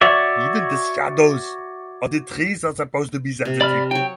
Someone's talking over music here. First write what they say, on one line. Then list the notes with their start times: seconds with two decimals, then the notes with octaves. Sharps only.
Even the shadows of trees are supposed to be sensitive.
0.01 F#4 C#5 D5 E5
3.45 C3
3.61 D5 B5 F6
3.91 F#3 C#5 G5